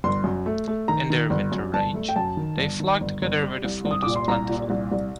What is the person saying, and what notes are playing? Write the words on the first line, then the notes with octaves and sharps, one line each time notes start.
In their winter range, they flock together where food is plentiful.
G1 C6
F#2
A3
A3
D#3 A#5
D#3
G1
F#2
G1 A5
A3
G5
F#2 A5
D#3
G1
D#3
G1
G1
G3
C2
C2
D#6
A#2 D6
C6
C2 A#5
A#2
C2
C2